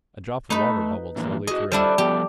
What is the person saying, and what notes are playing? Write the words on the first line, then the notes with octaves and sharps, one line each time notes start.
A drop of water bubbled slowly through.
A3 D#4 B4
A2 E3 A#3
F#4 G#4 D#5
G3 D4 E4 A4 C5
F3 B3 G4 A4